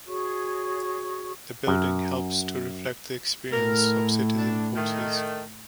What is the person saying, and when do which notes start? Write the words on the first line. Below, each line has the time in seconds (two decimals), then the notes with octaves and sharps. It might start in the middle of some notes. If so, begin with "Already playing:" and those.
The building helps to reflect the experience of citizen forces.
0.08 F#4 G#4 C#5 C#6
1.67 F#2
3.52 A2 A#4
4.38 D4
4.75 D#3 A3